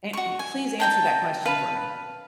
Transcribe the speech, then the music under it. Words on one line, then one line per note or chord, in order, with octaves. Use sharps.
An m please answer that question for me.
F#4 C#6
G#5
D#4 G5 A5
B4 F5 A5